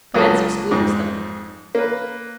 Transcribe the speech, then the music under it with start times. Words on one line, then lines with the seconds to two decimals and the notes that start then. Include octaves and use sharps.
France excludes them.
0.14 C#2 F#3 A#3 A4 D#6
0.71 F2 G#2
1.75 A#3 B4